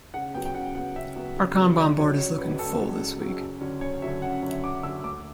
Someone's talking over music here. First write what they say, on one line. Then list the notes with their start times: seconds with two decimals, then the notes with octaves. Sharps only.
Our Kanban board is looking full this week.
0.14 C#3 F#5
0.34 F#3 B3 G5
0.45 G5
0.55 C#3 F#5
0.75 F#3 B3 F#5
0.95 C#3 E5
1.16 F#3 B3
1.37 C#3
1.57 F#3 B3
1.77 C#2 D5
1.98 C#3 F#3 C#5
2.18 C#2 C#5
2.38 C#3 F#3 B4
2.59 C#2 A4
2.80 C#3 F#3
3.00 C#2
3.21 C#3 F#3
3.41 F#2
3.61 D3 F#3 C#4
3.81 F#2 C#5
4.02 D3 F#3 C#4 E5
4.22 F#2 F#5
4.43 D3 F#3 C#4
4.50 E5
4.63 F#2 D6
4.83 D3 F#3 C#4 E6
5.04 D2 D6